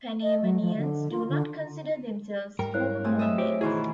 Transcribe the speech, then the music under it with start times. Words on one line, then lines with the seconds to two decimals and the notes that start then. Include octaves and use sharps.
Panamanians do not consider themselves former Colombians.
0.22 D#5
0.42 F#3
0.61 F3
0.76 D3
1.11 F4
1.29 D3
2.59 G#2 G3 A#4 G5
2.74 E4 C#5 F5 F#6
3.04 A3 C4 G#4
3.19 D#5 E5
3.38 G4 C5 C#5
3.61 B2 D#3 E3 E4 G#4 C5